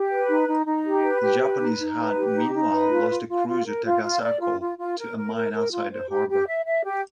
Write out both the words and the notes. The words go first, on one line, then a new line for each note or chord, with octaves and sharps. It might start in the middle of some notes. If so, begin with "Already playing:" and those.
The Japanese had meanwhile lost the cruiser "Takasago" to a mine outside the harbor.
Already playing: G4
B4
D#4
D#4
D#4
G4
B4
G4
B4
D#4
D#4
B4
G4
D#4
D#4
B4
F4
F4
F4
F4
A#4
F4
F4
D5
F4
F4
F4
A#4
A#4
A#4
A#4
F4
C5
G4
G4
E5
E5
G4